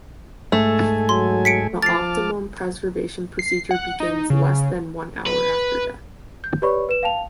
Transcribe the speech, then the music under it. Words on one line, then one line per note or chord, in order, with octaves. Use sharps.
The optimum preservation procedure begins less than one hour after death.
G#2 A3 A4 G#5
F#3 C6
B6 C#7 D7
F3 A5 D6 F6 A6 C7
C7
F#5
D#4
C#3
B4
G6
G4 B4 C#5 D5 B5 C#6
B4 E7
F5 G5 A5 F7